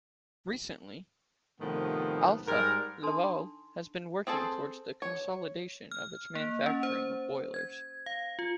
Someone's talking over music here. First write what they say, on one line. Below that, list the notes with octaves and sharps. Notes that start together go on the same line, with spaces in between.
Recently, Alfa Laval has been working towards the consolidation of its manufacturing of boilers.
A2 C3 D#3 F3 B3
G#2 G3 A#4
D4 D#4 A4 G#5 A5 C6
C4 G#4 A4 C5
C#5
F6
A#3
C#4
C5
G#6
F5
F4